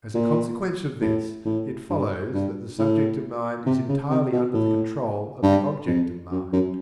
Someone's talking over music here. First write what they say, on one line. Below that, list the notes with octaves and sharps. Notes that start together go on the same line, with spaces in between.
As a consequence of this it follows that the subjective mind is entirely under the control of the objective mind.
A#2
A2
A2
G2
G2
A2
C3
C#3
C3
B2
A2
G2
F2
F#2
F#2